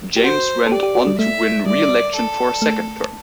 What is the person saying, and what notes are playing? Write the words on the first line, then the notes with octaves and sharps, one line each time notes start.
James went on to win re-election for a second term.
G4
F#4 C5
A4
G4 D5
G4
F#4
G3
A3 E5
G3 D5
A4
A3